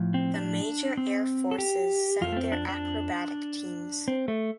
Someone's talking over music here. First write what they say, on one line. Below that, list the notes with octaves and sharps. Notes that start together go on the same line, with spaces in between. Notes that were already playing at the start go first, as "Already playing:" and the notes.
The major Air Forces sent their acrobatic teams.
Already playing: A2 F3
C4
D4
C4
A4
G4
F2 F3 F4
A3
C4
D4
D4
C4
A3